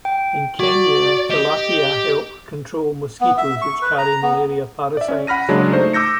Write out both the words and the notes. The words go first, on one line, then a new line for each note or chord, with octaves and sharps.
In Kenya, tilapia help control mosquitoes which carry malaria parasites.
G5
F#4 D5
G4 D#5
B3
E5
C#6
B4
A#5
B3
D5 E5
C#4
F#5 B5 F6 A#6 D#7
C#3 F#3 G#3 A#3 D4
A3 D#4 C5
D6 E6 G6 A#6 C#7